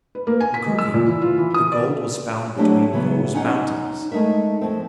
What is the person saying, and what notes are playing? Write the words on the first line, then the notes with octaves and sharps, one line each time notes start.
"Mukoki--the gold was found between those mountains!"
B4
A#3
G#5
B6
G#3
E6
A#2
E3
F4
E3
D#6
D5
F#3 A3 C4 D4 E4 G4
C#3 E3 F#3 B3
C#4 D#4 F#5
G#3 A3 D#4 A#4 E5
F2 A3 C4